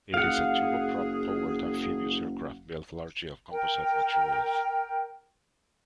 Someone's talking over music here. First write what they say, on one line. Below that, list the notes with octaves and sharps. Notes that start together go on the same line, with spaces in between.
It is a turboprop-powered amphibious aircraft built largely of composite materials.
F#1 G#4 F5 F#5
A#4 G5